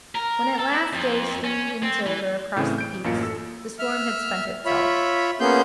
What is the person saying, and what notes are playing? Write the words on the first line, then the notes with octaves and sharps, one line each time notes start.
When at last day streamed in silver across the peaks, the storm had spent itself.
A#4
A4
E4
F2
C#4
C4
E3
A2 C#3 E3 C4 G#4
G6 D7
A1 F#2 A#3 F4 C#7
A4 E6
E5 F6
F4 C#5 E5 B5
A#3 B3 C#4 G#4 C6 G6